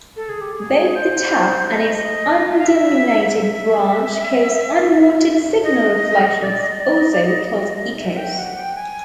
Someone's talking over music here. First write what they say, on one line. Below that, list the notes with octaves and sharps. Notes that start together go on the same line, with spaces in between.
Both the tap and its unterminated branch cause unwanted signal reflections, also called echoes.
A4
G#4
G4
G#4
C5
D#5
E5
F5
E5
E5
D#5
D5
D#5
D5
D#5
D5
D#5
E5
G5
F#5
G5
G#5